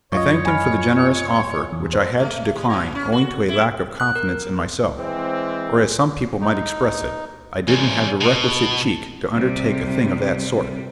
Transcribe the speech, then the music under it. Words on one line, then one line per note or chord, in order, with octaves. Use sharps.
I thanked him for the generous offer, which I had to decline owing to a lack of confidence in myself; or as some people might express it, I didn't have the requisite cheek to undertake a thing of that sort.
F#2 F4 C#5 D#5 C#6
G#5 B5 F6
E2
C5
A3
G3
A#2
C#4
F#4
E4
F#6
A#4
E3 G#3 C4
D#4
E2 G#2 C5 C#5 G#5
B2 A5
C3 G3